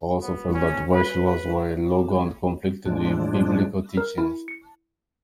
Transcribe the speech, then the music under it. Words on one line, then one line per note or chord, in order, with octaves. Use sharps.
He also felt that Welsh laws were illogical and conflicted with Biblical teachings.
B3
C#4
B4
B4
A2 F3 G#3 D4
A#4
E4
C#7